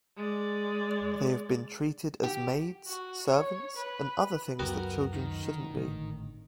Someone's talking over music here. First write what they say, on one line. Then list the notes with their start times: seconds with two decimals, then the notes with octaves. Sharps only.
They have been treated as maids, servants, and other things that children shouldn't be.
0.16 G#3 D5
2.23 G4
2.86 F#4
3.26 C#5
3.76 B4
4.59 C#2 F#2 B3 F#4 G4 A#4
5.13 D#3
5.72 G#1 A2 D3